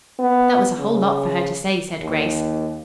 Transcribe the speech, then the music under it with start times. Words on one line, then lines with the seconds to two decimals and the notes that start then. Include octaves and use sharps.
"That was a whole lot for her to say," said Grace.
0.19 B3
0.79 C#3
2.01 D#2